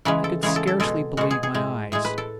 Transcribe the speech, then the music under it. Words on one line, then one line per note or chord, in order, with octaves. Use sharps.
I could scarcely believe my eyes.
C#3 E3 G#3 B4
A4
C#3 E3 G#3 G#4
A4
A4
B2 G#3 A4
B2 G#3 F#4
G#4
G#4
A2 G#3
A2 G#3 G#4
B4
A4